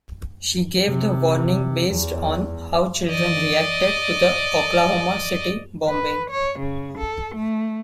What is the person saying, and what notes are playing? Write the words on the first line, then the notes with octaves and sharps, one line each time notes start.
She gave the warning based on how children reacted to the Oklahoma City bombing.
C3
E2
D5 D#5
B4
C#5
C#3
A4
A3